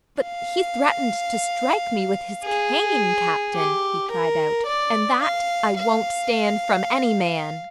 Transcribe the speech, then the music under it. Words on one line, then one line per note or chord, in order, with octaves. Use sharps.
"But he threatened to strike me with his cane, Captain," he cried out, "and that I won't stand from any man!"
F5
G#4
G4
A#4
D5
F5
F5